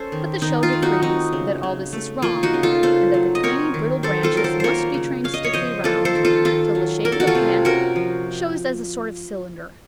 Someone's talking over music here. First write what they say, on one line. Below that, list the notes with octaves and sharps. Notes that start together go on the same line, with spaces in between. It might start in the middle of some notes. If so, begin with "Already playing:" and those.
But the show decrees that all this is wrong, and that the tiny, brittle branches must be trained stiffly round till the shape of the plant shows as a sort of cylinder.
Already playing: C#4 A4 C5
D#3
D#3 D#4
F4
A3
D#4 F#4
C4 D#4
C#3
C#3
A3
A#3 F4
D#4 F#4
C#3
F4 A4
C#3 A4 C5
F#3
D#5
C4 A#4 C#5
D#3
D#3 A4 C5
F4 A4
F#3 A#4
A4 C5
A#3 A#4 C5 C#5
C#3
C#4 F5
D#5
C#5
F3 C5 D#5
A#3 F4 A4
A4 C5
D#3
F4 A4
D#3 F4 A4
F#3
A#3 A#4
A4
F#4
F4 A4
C3
C#4 F#4 A#4
F3